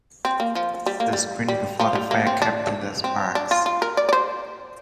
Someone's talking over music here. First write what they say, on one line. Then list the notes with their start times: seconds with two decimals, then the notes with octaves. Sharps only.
The screen before the fire kept in the sparks.
0.25 C4
0.40 A#3
0.55 F3
0.86 G3
1.00 A#3
1.13 G3
1.48 G3
1.80 F3
1.95 G3
2.11 A#3
2.27 C4
2.42 D4
3.04 C4
3.35 D4
3.51 F4
3.66 F4
3.82 A#4
3.97 D5
4.09 D5
4.13 C5